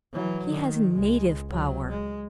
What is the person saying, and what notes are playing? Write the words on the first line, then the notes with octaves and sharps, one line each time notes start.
He has native power.
E3 F#3
D#3
C#2 G#3
C#2 F#3
G#3